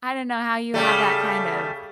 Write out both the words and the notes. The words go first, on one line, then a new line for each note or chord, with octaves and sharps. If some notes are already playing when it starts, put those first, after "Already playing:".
I don't know how you have that kind of
C#3 G3 A3